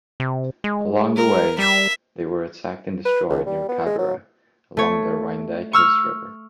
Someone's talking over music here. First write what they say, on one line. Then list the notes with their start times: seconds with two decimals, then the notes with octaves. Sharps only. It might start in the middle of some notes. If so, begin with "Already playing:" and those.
Along the way, they were attacked and destroyed near Cabira along the Rhyndacus River.
0.20 C3
0.64 G#3
1.16 A#4
1.58 G3 E5
3.05 B4
3.29 C#2
3.46 G3
3.69 B3
3.86 G#3
3.98 F#3
4.77 A3 C#5
5.73 C#6 E6 F6